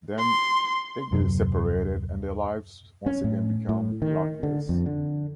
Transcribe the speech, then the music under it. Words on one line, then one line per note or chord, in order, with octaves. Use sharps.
Then they get separated and their lives once again become luckless.
C6
D#1 F#2 C3 F#3
C#4
A2
A2
D#3
D3
F2
D3